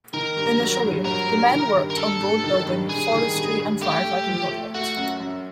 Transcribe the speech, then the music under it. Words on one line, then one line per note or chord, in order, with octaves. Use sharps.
Initially the men worked on road building, forestry and firefighting projects.
D#3 A#4
G2
F#3
G2
F#3 A#4
G2
D#3
G2
A#4
G2 A4
G2
D#3
G2
G2 G#4
D#3
G2
G2
A3 G4
A3
F3
A3
A3 F#4
F#2
F#2